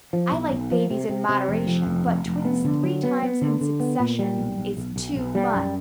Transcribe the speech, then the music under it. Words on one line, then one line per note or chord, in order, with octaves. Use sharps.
I like babies in moderation, but twins three times in succession is TOO MUCH.
F3
B1
B1
F3
C3
C3
C3
F1
F2
F1
F1
F1
B3
D3
F#3
B3
B3
D3
D3
B3
A#2
G3
B1
B1
B1
B1
B1
G3
F#2